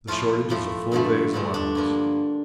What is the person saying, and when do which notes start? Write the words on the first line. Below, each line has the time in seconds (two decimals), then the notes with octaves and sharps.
The shortage is a full day's allowance.
0.07 A2 F3 A3 F4
0.50 A2 F3 A3
0.92 G2 D3 F3 A3
1.33 G2 D3 F3 A3
1.54 D4
1.75 G2 F3 A#3